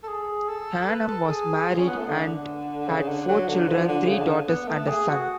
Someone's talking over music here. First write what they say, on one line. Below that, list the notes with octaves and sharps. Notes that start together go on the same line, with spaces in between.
Ghanem was married and had four children, three daughters and a son.
A4
G#4
A4
B4
A4
G#4
F4
C#4
B3
A3
D3
C#3
D3
F#3
D3
F3
D3
C#3
D3
B3
A3
G#4
F#4